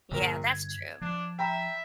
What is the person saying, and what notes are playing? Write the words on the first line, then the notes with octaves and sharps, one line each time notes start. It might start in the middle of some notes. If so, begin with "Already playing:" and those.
Yeah, that's true,
A#1 G2 D3 G3 A#4
G#6
F3 D4
E5 G5 A#5 B5